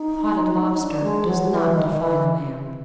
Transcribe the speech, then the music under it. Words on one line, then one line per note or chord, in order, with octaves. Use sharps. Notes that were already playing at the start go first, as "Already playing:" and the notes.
Potted lobster does not define a man.
Already playing: D#4
D4
G#3
F#3
E3
D#3
D#3
E3